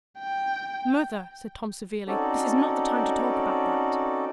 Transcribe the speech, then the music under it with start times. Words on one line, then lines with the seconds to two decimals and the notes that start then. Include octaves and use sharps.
"Mother," said Tom, severely, "this is not the time to talk about that."
0.19 G5
2.08 C4 C#4 D#4 F#4 A4 D5